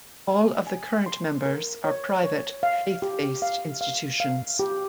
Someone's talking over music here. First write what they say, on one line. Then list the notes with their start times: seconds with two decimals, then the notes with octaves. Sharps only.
All of the current members are private, faith-based institutions.
0.28 G#5
0.67 G#5
1.06 C6
1.46 A#4
1.85 C#5
2.24 C#5
2.63 F5
3.02 G4
3.42 F5
3.81 F5
4.20 F5
4.59 G4